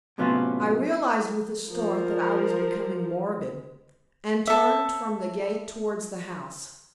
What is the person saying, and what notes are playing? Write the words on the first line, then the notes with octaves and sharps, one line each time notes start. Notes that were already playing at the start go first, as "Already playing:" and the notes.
I realized with a start that I was becoming morbid, and turned from the gate towards the house.
A2 C3 F#3 B3 C#4 F4
F3 A#4
A4 E5